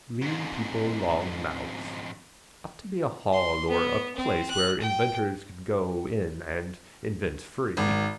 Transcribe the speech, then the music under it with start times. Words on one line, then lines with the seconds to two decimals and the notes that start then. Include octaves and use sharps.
Lean people long mouths. Ought to be a hall or a place where inventors could go in and invent free.
0.22 F2 G#2
3.33 C6
3.70 B3
4.16 C4
4.50 F#6
4.80 G5
7.77 G#1